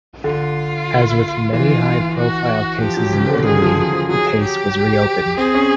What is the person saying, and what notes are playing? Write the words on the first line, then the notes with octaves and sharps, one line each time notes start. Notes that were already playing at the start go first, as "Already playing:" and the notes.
As with many high-profile cases in Italy, the case was reopened.
D3 F4
E3 F4
F#4
F3 G4
F#3
C#3
D3
D#3 G#4
F3
F#3
F3
F#3 G#4
G4
C4 G#4
C#4